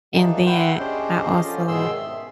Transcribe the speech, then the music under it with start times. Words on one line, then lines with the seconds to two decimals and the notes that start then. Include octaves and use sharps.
And then I also,
0.16 D#2 A#2 D#3 E3 D4 D#4
0.46 E4 F#5 G5 C6
0.79 C#4 D4 G4 G#4 C5 D#5
1.43 D3 F3 C#4 F4
1.68 G#2 B2 D#3 G#4 C6 E6
1.95 E5